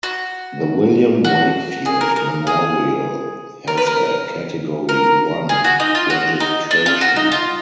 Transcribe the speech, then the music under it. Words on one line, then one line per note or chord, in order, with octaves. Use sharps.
The William Wakefield Memorial has a Category One registration.
F#4
F#4
G#4
A#4
A#4
G#4
A#4
B4
A#4
A#4
G#4
F#4
D#4
F4
F#4
D#4
D4
F4
F#4
D#4
F4